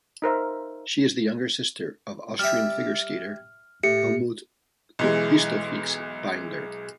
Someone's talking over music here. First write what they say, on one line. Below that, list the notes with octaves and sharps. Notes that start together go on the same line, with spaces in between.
She is the younger sister of Austrian figure skater Helmut Kristofics-Binder.
D#4 A#4 C5 E5
G3 G4 E5 F6
A2 G4 C#7
B1 E3 G#3